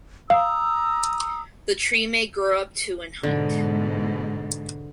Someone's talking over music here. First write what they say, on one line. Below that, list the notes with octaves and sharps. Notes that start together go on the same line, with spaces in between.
The tree may grow up to in height.
F5 A#5 D#6 E6
G#2 B2 D3